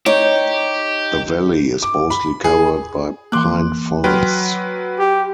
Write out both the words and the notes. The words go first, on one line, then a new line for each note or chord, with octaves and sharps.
The valley is mostly covered by pine forests.
D#4 G4 C#5
D6
B5
G#4
E3 A#3 C6 D6 F#6
F#3 B4 G5 C6 F6 D7
G4